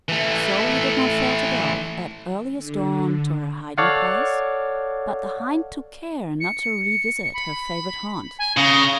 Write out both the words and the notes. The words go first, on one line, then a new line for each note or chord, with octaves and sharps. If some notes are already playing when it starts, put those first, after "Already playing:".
So he did not fail to go, at earliest dawn, to her hiding-place; but the hind took care not to re-visit her favourite haunt.
E3 A3
D3
A4 C#5 D5 F5 F#5
C#7
B5
G#5
C#3 A#6